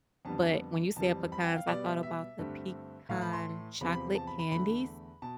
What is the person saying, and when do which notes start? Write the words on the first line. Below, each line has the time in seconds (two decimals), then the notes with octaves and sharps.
but when you said pecans, I thought about the pecan chocolate candies?
0.25 F2 D3 G3 B3 A5
0.96 F2 E3 G3 C4 A5
1.32 B5
1.44 G5
1.56 F5
1.67 B2 G3 B3 D5
1.85 E5
2.03 E5
2.39 G2 D3 A3 C4
3.09 A2 E3 A3 F5
3.22 B5
3.33 C6
3.81 E2 C3 F3 C4 B5
3.92 B5
4.16 A5
4.27 B5
4.39 B5
4.52 E2 D3 A3 B5
5.22 B2 A5